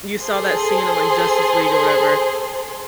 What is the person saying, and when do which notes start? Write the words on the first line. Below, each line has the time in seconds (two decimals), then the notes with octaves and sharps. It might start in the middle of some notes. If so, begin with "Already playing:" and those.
you saw that scene in, like, Justice League or whatever,
0.21 G#4 A4 C5 C6